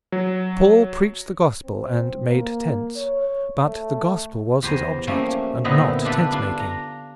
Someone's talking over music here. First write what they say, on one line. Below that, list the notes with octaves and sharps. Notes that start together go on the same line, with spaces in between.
Paul preached the gospel and made tents; but the gospel was his object, and not tent-making.
F#3
C4
A#3
C#5
A3
E2 G4 C5 G#5 A#5
F3 G3 A3 A#3 C#4
A#2 D3 B3 C4 D#4 E4
D4 F4 G4 A4 B4
D4 F4
A#5